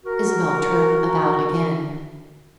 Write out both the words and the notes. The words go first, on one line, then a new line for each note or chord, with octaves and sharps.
Isabel turned about again.
F#4 A#4